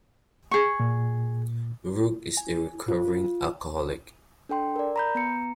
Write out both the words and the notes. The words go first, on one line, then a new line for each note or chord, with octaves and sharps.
Rook is a recovering alcoholic.
G#4 C#6
A#2
G#5
F4
D4 A4 G5 C6
A#4 D5
A#5 B5 G6
B3 A#5 C#7